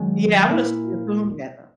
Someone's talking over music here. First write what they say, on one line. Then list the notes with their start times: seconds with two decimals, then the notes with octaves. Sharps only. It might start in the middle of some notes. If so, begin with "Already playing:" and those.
Yeah, I would have assumed that though.
Already playing: F#2 D#3 G#3
0.49 A#2 A#3 E4